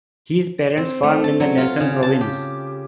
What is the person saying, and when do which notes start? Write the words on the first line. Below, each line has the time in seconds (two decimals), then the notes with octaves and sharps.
His parents farmed in the Nelson province.
0.77 C4
1.03 A3
1.24 A5
1.40 F#3
1.57 F4
1.80 C#3
2.03 A5
2.21 G4